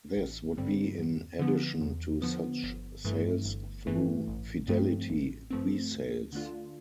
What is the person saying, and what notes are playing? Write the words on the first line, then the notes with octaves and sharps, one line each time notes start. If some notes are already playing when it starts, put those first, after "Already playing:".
This would be in addition to such sales through Fidelity Resales.
A1
G2 D3 G3 C4
E2
D3 F3 B3
E2
D3 F3 B3
G1
G2 E3 A3
G1
G2 E3 A3
A1
G2 F3 A3 C4
A1
G2 F3 A3 C4
D2
D3 A3 D4 F4